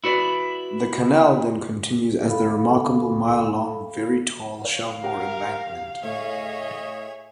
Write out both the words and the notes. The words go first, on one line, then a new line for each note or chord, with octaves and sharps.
The canal then continues as the remarkable mile-long very tall Shelmore Embankment.
E4 F#4 B4 D5
A4 F5 B5
C#5 F5
G4 A#4 F#5
A2 G#4 C#5 D#5 E5